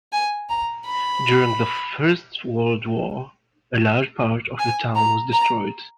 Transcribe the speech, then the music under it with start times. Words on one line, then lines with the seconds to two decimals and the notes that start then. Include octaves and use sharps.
During the First World War a large part of the town was destroyed.
0.12 G#5
0.49 A#5
0.86 B5
4.59 G#5
4.95 A#5
5.33 A#5